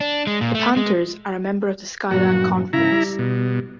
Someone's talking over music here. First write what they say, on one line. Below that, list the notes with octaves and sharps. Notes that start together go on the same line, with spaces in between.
The Panthers are a member of the Skyline Conference.
D4
G#3
A#2
A3
G#3
G2 A#2 F#3 F#4
G#2 C#3 E4 A#5
G3
B2